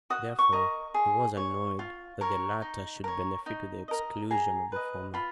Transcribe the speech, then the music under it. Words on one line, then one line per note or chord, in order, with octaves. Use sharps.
Therefore he was annoyed that the latter should benefit to the exclusion of the former.
F#4 D#6
C#6
A#4 D#5
G#4
C#5
F4
A#4 C#5
D#4
A#4 C#5
D#4
A#4 D#5
G#4 A#5
B4 D#5
F4 B5